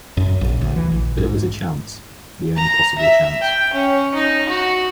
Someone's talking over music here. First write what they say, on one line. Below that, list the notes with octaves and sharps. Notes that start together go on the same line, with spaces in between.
But it was a chance, the only possible chance.
F#2
A#1
D2
E3
A#1
G#2
A#5
E5
G5
C#4
D#4
F#4